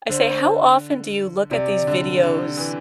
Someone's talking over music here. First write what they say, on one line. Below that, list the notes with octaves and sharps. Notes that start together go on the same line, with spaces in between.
I say, "How often do you look at these videos
D3 C5
C3 D5
D3
D3
E3